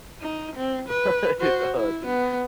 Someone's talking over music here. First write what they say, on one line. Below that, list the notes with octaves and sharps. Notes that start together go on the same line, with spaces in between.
Right on, dude.
D#4
C4
B4
F#4 C5
E4
B3